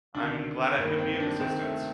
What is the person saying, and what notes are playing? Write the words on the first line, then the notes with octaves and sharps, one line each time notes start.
I'm glad I could be of assistance.
D2 C3 D#3 D4
G1 G2 D#3 A#3
C4
D4
C2 C3 D#3 C4
A3